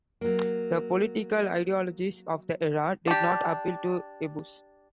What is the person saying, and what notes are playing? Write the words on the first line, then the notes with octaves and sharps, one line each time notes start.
The political ideologies of the era did not appeal to Ibuse.
F#3 A#3
D4 G4